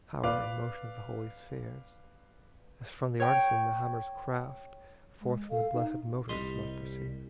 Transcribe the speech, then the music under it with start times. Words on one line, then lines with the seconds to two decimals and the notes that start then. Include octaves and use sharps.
The power and motion of the holy spheres, As from the artisan the hammer's craft, Forth from the blessed motors must proceed.
0.24 B4 D5 F5 D6
3.20 C#5 G5
5.21 G#3
5.50 A4 F5
5.73 D#4
6.29 C2 G3 D#5 C6